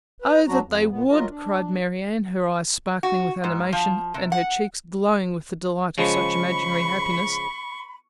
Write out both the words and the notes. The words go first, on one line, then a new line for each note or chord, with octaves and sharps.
"Oh that they would!" cried Marianne, her eyes sparkling with animation, and her cheeks glowing with the delight of such imaginary happiness.
B4
E2 F#3 D4 F#4 A#5
F2
A#2 B3
F#3 F4 A#4 D#5
D4
F#4
G#2
F3
C3
F#5
C#3 F3 G#3 B5 C#6